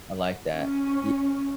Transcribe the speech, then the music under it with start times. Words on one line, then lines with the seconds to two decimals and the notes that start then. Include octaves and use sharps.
I like that, yeah.
0.54 C#4